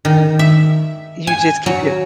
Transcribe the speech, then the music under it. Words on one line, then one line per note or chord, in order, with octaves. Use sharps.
You just keeping it
D#3
E5
G#5
F#3